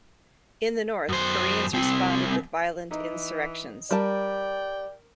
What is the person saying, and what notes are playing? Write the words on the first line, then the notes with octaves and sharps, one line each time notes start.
In the north, Koreans responded with violent insurrections.
F#2 C5
C2 C4
E3 D#4
G3 A#4 D5 G5 A5